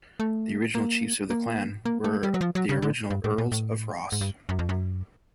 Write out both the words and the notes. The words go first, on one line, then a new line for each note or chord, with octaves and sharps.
The original chiefs of the clan were the original Earls of Ross.
A3
A#3
A#3
A#3
A3
G3
F#3
F3
F#3
C#3
D3
G2
A2
A#2
A2
G#2
G2
F#2
F2
F#2